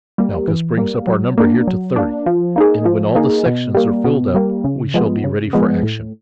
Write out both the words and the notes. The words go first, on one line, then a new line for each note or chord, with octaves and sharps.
Malchus brings up our number here to thirty, and when all the sections are filled up we shall be ready for action.
G3 A#3
E3
G3 A#3
F#3
A#3 D4
F#3
A#3 D4
F3
A#3 D#4 G#4
F3
A#3 D#4 G#4
B2
G3 A#3
B2
G3 A#3
C#3
F3 G#3 B3
C#3
F3 G#3 B3
A2